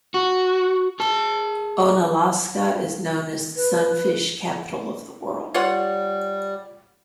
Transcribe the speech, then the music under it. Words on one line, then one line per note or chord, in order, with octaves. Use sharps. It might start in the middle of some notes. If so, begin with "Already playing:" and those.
Onalaska is known as The Sunfish Capital of the World.
F#4
G#4 A5
B4
G3 F4 C#5 F#5